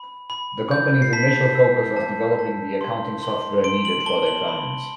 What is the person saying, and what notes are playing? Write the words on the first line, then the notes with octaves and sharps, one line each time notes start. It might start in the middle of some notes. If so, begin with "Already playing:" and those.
The company's initial focus was developing the accounting software needed for their clients.
Already playing: B5
B5
G6
C7
A5 B6
E6
A5
A5
C6
C6
C6 D7
F#7
A5 G7
F#7
B5